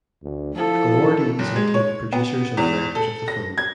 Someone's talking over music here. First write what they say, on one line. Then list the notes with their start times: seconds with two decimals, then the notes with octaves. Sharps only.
Awardees included producers and directors of the film.
0.23 D2
0.55 F3 E4 A4
1.39 F#1
1.56 G#3
1.74 C#5
2.13 B3
2.57 E2
2.95 A4
3.28 A#6
3.58 G#6